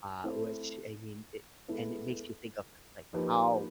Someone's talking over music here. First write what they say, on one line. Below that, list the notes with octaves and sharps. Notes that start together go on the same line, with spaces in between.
uh, which I mean, it and it makes you think of like, how
A3 C4 E4 A4 C5
G#3 B3 E4 A4
F3 A#3 D#4 G4 B4